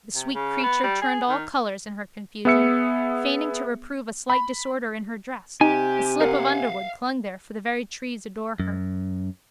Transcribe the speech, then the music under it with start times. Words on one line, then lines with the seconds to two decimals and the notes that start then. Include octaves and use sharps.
The sweet creature turned all colours in her confusion, feigning to reprove a slight disorder in her dress: a slip of underwood clung there for the very trees adore her.
0.16 C3
0.35 C#3
0.63 B3
0.84 G3
1.02 G#4
1.29 D#3
2.45 B3 G#4 E5 E6 C#7
4.30 B5
5.61 C3 D#4 G4 G#5
6.21 A#4 F5 F#5
8.60 F#2